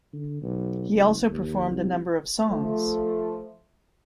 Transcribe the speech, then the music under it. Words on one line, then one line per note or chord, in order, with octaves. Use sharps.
He also performed a number of songs.
D3
B1
F#1
D#2
C2
F3 A3